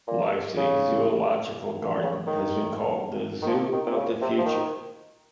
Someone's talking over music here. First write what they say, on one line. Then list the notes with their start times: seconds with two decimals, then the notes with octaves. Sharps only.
Leipzig Zoological Garden has been called the "Zoo of the future".
0.08 A#2
0.57 C#3
2.02 C#3
2.27 D#3
3.42 D#3
3.48 F3
3.73 D#3
3.92 C3
3.97 C#3
4.21 C3
4.38 F3
4.46 D#3